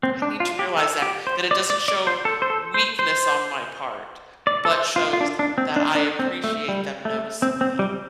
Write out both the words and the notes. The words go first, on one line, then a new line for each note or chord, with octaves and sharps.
I need to realize that that it doesn't show weakness on my part, but shows that I appreciate them noticing me.
C4
D4
F4
G4
A4
G4
C5
D5
D5
D5
C5
A4
C5
A4
C5
C5
D5
A4
C5
F4
F4
D4
D4
C4
D4
D4
C4
A3
G3
A3
C4
C4
G3